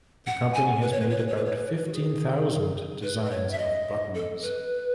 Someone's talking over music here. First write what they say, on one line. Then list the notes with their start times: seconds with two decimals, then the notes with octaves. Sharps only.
The company has made about fifteen thousand designs of buttons.
0.27 F#5
0.54 G#5
0.81 B4
0.91 C#5
1.00 B4
1.09 C#5
1.18 B4
1.27 C#5
1.36 B4
1.45 C#5
1.55 B4
1.85 F#4
1.93 G#4
3.03 B4
3.25 D#5
3.31 C#5
3.51 E5
3.58 D#5
4.14 A4
4.42 B4